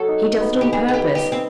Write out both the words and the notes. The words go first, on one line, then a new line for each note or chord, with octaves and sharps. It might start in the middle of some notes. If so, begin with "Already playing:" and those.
He does it on purpose.
Already playing: F#3 A4
D#4
B3
G4
G3 G#4
G#4
G4
G3
G4
C4